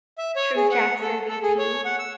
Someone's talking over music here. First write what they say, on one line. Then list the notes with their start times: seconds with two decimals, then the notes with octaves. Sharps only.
True Jackson VP.
0.18 E5
0.36 C#5
0.56 G#4
0.72 F#5
1.01 A4
1.28 A4
1.43 G#4
1.58 C#5
1.85 F#5
1.99 E6